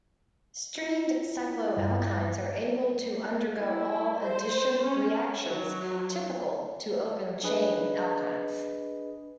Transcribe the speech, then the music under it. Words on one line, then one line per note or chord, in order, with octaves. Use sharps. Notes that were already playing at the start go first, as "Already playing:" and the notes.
Strained cycloalkynes are able to undergo all addition reactions typical to open chain alkynes.
E4 F4
G2 G3
E4
C5
C#4
F#3
D4 G#4 B4 D#5